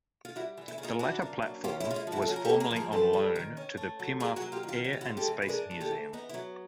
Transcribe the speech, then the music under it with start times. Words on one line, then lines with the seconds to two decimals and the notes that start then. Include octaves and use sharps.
The latter platform was formerly on loan to the Pima Air and Space Museum.
0.25 F4
0.35 G3 E4 F#4
0.58 E3
0.68 E4
0.78 C#3
0.83 D#4 F4
0.99 D4 E4 F#4
1.22 A#3
1.42 F#3
1.64 C#4 F4 G4
1.80 E4
1.85 G#3
1.91 F4
1.96 E4
2.07 F3
2.12 E4 F#4
2.22 A4
2.27 C#4 F#4 G#4
2.36 A#4
2.45 G4 A4
2.49 A#3
2.60 G#4 A#4
2.71 F3
2.76 G#4 A#4
2.92 C4 A4 B4
3.13 G3
3.36 D#3
3.57 C#4
3.77 A3
4.00 F#3
4.20 A#3 G#4 A#4
4.36 F#4 G#4
4.42 F#3
4.52 F4 G4
4.63 D#3
4.68 F4 G4
4.84 C#4 F#4
4.93 G4
5.01 E4 F#4
5.05 G#3
5.17 G4 A4
5.28 E3
5.42 B4
5.48 D4 G#4 A#4
5.71 A3
5.81 G4 A4
5.91 E3
6.13 B3 D#4
6.29 E4
6.34 F#3